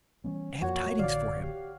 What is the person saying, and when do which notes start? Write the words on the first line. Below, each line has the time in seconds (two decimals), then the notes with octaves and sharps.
I have tidings for him.
0.24 E3 G3 B3 C#4
0.62 F2 A#2 F3 F#4 C#5
0.99 A1 D3 E3 D5 F5
1.43 G4